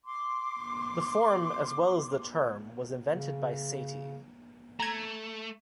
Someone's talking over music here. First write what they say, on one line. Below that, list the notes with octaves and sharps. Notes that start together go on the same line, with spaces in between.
The form as well as the term was invented by Satie.
C6 D6
C#3
A3 A#5 G#6